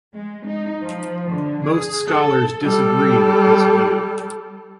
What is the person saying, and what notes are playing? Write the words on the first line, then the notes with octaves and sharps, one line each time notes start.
Most scholars disagree with this view.
G#3
D#4
F3
D3
G#4
A4
G3 A4